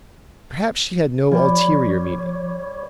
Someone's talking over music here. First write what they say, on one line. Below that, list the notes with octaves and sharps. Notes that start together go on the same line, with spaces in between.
Perhaps she had no ulterior meaning.
F3 G3 C#5 D5